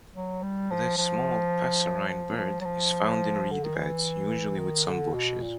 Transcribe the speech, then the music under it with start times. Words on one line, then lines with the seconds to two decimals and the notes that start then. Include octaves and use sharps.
This small passerine bird is found in reed beds, usually with some bushes.
0.15 F#3
0.42 G3
0.70 F3
0.98 F3
2.09 F3
2.37 F3
2.60 F#3
2.65 F3
3.51 D3
3.64 D#3
3.76 E3
4.58 D#3
4.87 D3
5.14 B2
5.42 A#2